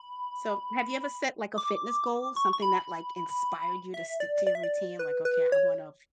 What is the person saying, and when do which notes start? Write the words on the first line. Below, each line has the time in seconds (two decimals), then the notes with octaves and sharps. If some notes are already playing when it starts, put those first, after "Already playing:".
so, have you ever set, like, a fitness goal, something that, like, inspired you to stick to your routine, like, "Okay, I wanna
Already playing: B5
1.58 D6
2.36 C#6
2.53 C#6
2.62 B5
3.94 E5
4.20 D5
4.47 D5
4.55 E5
4.63 D5
4.99 B4
5.25 B4
5.52 C#5